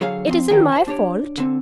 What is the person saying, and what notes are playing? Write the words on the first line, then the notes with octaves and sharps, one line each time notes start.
It isn't my fault.
D3 F#3 G#4 C#5 F5
F3 C4 C6
D3 D#3 F3 C#4 A#4 G5
C5 A5
D4 G4 C#5 D5
D3 C4